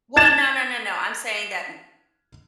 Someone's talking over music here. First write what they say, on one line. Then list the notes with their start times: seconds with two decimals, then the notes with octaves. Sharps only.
well, no, no, no, no, I'm saying that
0.17 G#6 A6 E7